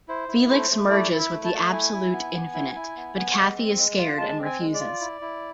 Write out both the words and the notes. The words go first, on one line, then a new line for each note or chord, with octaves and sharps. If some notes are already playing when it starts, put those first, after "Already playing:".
Felix merges with the Absolute Infinite, but Kathy is scared and refuses.
E4 C5
E4
A3 C5
A3
E4 D5
E4
E5
A3
A5
A3
E4 G#5
E4
B3
B3
E4
E4
B3
B3
G#3
C4
G#3
F4
G#3 A5
C4
G#5
G#3
D5
F4
E4
E4